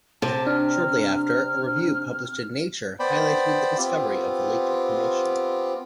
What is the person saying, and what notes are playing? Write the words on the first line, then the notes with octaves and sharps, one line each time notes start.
Shortly after, a review published in "Nature" highlighted the discovery of the leaked information.
C3 A5
D4 F6
B3 C5 D5 G5 B5
B3 C4 F4 G4